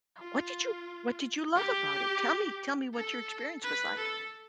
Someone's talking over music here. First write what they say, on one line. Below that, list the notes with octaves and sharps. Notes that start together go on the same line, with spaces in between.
What did you what did you love about it? Tell me tell me what your experience was like.
F4
G4
A4
B4
A4